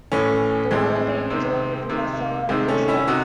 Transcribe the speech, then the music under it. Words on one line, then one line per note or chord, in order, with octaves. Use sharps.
The latter being a duet with Marcella Detroit.
A2 E3 A3 C#4
A2 E3 G#3 C4
C3 D#3
C3 D#3
C3 D#3 G#3 C4
A3 C#4
C#4 E4
C3 D#4 F#4